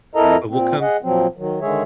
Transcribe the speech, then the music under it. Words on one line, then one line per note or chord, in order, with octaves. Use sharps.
and we'll come
F2 E4 A4 A#4 D#5 A#5
A#2 C4
G#4 D#5 F#5
A#2 F3 F#3 C4
D#3 F#3
D3 D#3 G#3 G#4 C#5 E5